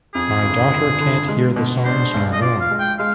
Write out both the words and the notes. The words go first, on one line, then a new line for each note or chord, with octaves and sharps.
My daughter can’t hear the songs no more.
F2 G#4
G1
D3
D3
G#3
B2
D4 C5
B1
D#5
F4 D5
F5
G#3
G5
G#3 F5